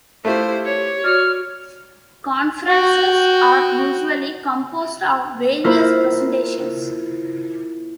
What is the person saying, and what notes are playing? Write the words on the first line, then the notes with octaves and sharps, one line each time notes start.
Conferences are usually composed of various presentations.
A3 E4 F4 G4 C5
C#5
F#4 D5 F6
F#4 G5
A#3 E4 F4 A#4 C5